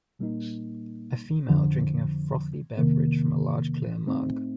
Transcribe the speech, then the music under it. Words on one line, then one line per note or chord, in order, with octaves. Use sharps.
A female drinking a frothy beverage from a large clear mug.
A#2 G3 A#3 D#4
F2 D3 F3
F2 C3 D#3 A#3
A2 A3 C4 D#4